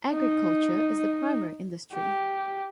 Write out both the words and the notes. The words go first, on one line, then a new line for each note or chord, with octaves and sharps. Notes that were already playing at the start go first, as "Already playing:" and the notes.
Agriculture is the primary industry.
D#4
G4